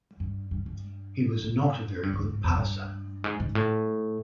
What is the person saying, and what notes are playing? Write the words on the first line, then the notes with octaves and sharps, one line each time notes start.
He was not a very good passer.
G2
G2
G2
G#2
G2
G2
G#2
F2
G2
G#2
G#2
A2